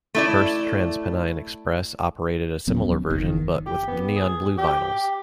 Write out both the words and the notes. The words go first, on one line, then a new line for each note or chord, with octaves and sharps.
First TransPennine Express operated a similar version but with neon blue vinyls.
A3 E4 D5
D#1 F#3 B3 C#4
F#1 D#3
G4
B3
G#4
G4